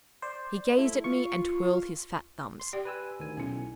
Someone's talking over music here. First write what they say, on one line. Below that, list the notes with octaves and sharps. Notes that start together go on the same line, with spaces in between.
He gazed at me, and twirled his fat thumbs.
C5 D5
A3 E4
F4 C#6
C6
G4 D5 G5
B4 G#5 E6
D2 D#3 G#5
B1 C#4 E4